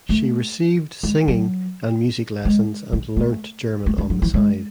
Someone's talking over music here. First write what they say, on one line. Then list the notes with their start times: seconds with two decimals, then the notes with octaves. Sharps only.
She received singing and music lessons and learnt German on the side.
0.09 A3
1.03 G#3
1.28 F#3
2.45 G#3
2.93 C4
3.16 A3
3.86 A3
3.98 G#3
4.10 F#3
4.22 E3
4.34 G#3